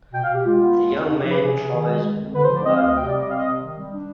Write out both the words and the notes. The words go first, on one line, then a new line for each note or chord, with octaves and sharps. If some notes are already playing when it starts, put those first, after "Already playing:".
The young man tries in vain.
B2 G5
F5
B2 G4
G#3 F4
B3
G#3
F2
C3 D#4
G4
F3
B4
C3 G#4
C3
D#3
G#3
G#3
F2
D3 B4
C5
F3
D5
C4 D#5
F5
D2
D#5
C3 G5
D#5
D5
G3
D#5
C4 F5
D#5
C3
D#3
G3
D4